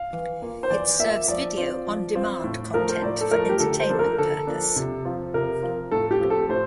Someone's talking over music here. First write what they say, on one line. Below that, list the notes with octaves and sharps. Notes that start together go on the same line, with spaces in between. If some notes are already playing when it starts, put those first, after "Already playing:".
It serves video on demand content for entertainment purpose.
Already playing: F5
E3
A#3 F4
C5
E3 D5
A#3 F4 E5
F3 D5
C4 F4
F3
C4 F4
A2
F3 A3 A#4
C5
A2 D5
A4
F3 A3 A#4
G4
D3 A4
C5
F3 A#3 D4 A4
A#4
D3 A4
F3 A#3 D4
C3
F3 C4 F4
C3 A#4
F3 C4 F4
A2 A4
G4
F3 A3 C4
A4
A2 C5